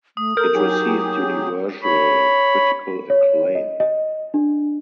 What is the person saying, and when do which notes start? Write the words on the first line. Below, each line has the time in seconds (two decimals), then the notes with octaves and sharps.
It received universal critical acclaim.
0.17 A3 D#6
0.37 A4 A#4 G6
0.54 F#3 D#4 G4 G#4
1.83 C#5 B5
3.10 C#5
3.55 D#5
3.80 D#5
4.34 D4